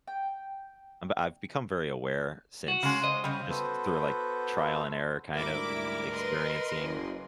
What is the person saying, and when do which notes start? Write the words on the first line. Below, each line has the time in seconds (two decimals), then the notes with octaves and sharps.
Um I've become very aware since just through, like, trial and error kind of experiencing
0.08 G5
2.68 F#4
2.83 C#3 G#3
3.03 C5 D#5
3.24 C#3 G3
3.49 B3 F#4 A4 B4 C5
5.35 D2 G#2 G3 E4 A#4 D6
6.12 B4 D#5 C6
6.74 F#1